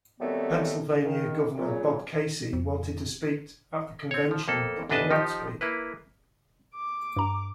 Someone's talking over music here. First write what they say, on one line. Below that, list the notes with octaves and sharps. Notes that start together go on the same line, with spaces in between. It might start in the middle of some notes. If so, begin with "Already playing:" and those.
Pennsylvania Governor Bob Casey wanted to speak at the convention, but did not speak.
D#3 F#3 G3 A3 B3 C4
D#3
A#2 C#3 F#3
F2
C4 C#5
F3
F2 A#3 A4
G1 E2 D4 B4 D#5 A5
F3 D#4 G4
A#3 E4 B4
D6
G2 A#5